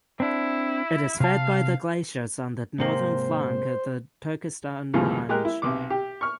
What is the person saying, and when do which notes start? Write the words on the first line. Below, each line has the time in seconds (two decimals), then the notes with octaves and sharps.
It is fed by the glaciers on the northern flank of the Turkestan Range.
0.20 C4 D4 E4
1.20 C3 F5 A5
2.78 G#2 C3 A#3 C5
4.94 D#2 A2 C#3 E3 F3 G3
5.29 G#3 G4 A#4 A#5 F#6
5.45 E4
5.62 B1 C3 D6
5.90 G4
6.21 C#6 F6